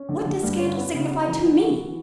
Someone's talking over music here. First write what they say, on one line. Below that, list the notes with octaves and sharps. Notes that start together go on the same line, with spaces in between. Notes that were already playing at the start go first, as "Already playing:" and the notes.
What does scandal signify to me?
Already playing: C#4
D3
D3
G2
C#4
B3
C#3
F#4
E3
B3
F#4
E3